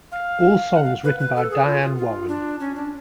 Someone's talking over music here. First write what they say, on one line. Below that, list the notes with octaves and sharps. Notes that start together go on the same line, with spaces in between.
All songs written by Diane Warren.
F5
F#5
F5
B4
B4
A4
G#4
F4
F4
F4
D4
C#4
D4